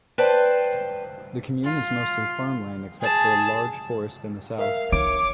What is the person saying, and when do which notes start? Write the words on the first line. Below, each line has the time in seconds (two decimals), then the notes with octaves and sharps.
The commune is mostly farmland except for a large forest in the south.
0.18 B4 C5 D5 G5 A5
1.64 F4
3.01 G#4 A5
4.59 A#4 E5 F5
4.92 D#4 C#5 D6